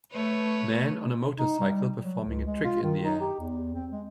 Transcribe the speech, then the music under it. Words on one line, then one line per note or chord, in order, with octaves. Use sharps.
Man on a motorcycle performing a trick in the air.
A3 B4 C#5
D#4
G3
F#3
C#2
G#3
F4
D#3
D#4
G4
E2
C4
G#3